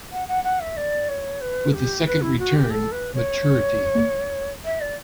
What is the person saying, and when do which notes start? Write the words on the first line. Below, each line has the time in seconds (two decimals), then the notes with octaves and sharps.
With the second return, maturity.
0.11 F#5
0.27 F#5
0.43 F#5
0.60 E5
0.76 D5
1.08 C#5
1.41 B4
1.73 G4
2.06 B4
2.21 E4
2.38 F#4
2.54 G4
2.70 A4
2.91 B4
3.14 C#5
4.65 E5
4.80 D5